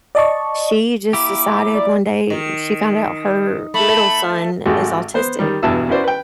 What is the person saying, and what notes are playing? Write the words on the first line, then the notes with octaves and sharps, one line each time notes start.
she just decided one day she found out her middle son is autistic
D5 D#5 A5 C#6
A#3 E4 G4 D6
D5
D#3
A3 B5
G#1 G#3 A3 F#4 G4
B3 C5
D#3 G3
E2 G2 B2 E4 A5 E6
C#4 E4 F#4 B4 C5 D5
B4 G5